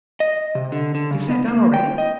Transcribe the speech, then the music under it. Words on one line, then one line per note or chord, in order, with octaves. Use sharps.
You've sat down already?
D#5
C3
D3
D3
C#3
B3
A#3
G5
D#5